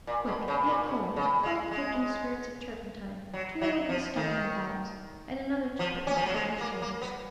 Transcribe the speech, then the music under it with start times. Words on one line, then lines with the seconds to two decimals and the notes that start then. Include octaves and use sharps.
Quick, Aunt Chloe! a cloth dipped in spirits of turpentine, to lay over the stomach and bowels, and another to put between her shoulders.
0.07 A#2
0.27 B2
0.48 C#3
0.68 A#2
0.88 B2
1.16 C#3
1.43 G#3
1.71 G#3
3.34 F#3
3.61 F#3
3.89 F3
4.16 D#3
5.79 F3
6.07 C#4
6.16 F3
6.26 F#3
6.34 G#3
6.61 A#3
6.82 A#3
7.02 B3